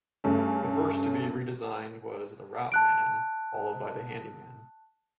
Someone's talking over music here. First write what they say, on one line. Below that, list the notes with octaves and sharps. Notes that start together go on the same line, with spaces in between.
The first to be redesigned was the Routeman, followed by the Handyman.
G2 C#3 A3 C#4
A5 F#6 D7